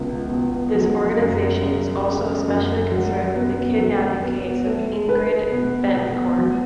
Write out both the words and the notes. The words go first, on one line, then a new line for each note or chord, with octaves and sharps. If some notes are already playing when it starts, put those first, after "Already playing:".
This organization is also especially concerned with the kidnapping case of Ingrid Betancourt.
Already playing: C#2 B2
B2
F#3
F#2
C#3
C#3
F#2
F#3
B3
F#3
B3
A3
B4
B2
B2
F#3